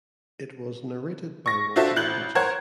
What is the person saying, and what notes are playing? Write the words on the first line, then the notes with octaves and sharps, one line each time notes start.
It was narrated by Walter Pidgeon.
C#6 A#6
D4 F4 F#4 A4 C5 E5
A1 F#6 G6 F#7
A#4 C5 C#5 F#5 G#6